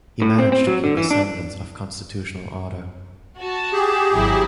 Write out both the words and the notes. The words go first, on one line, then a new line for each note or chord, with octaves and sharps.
He managed to keep a semblance of constitutional order.
A2
C4
C4
F#3
D3
E3
D4
F#4 A5
G4 G#4
G#1 F#3 E4